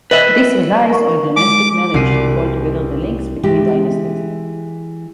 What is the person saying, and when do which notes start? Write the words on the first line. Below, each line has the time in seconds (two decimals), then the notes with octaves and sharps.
This relies on dynastic marriage to hold together the links between dynasties.
0.11 B4 D#5 E5
0.90 A#4 C#6
1.36 G#3 D6
1.94 C2 F#4 C7 D#7
3.44 E3 G#3 G4